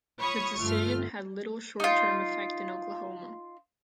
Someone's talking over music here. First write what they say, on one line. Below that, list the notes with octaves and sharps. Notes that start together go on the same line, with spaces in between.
The decision had little short-term effect in Oklahoma.
F4 C#5 B5 C#6 D#6
G1 A3 F4 F6
D#4 F4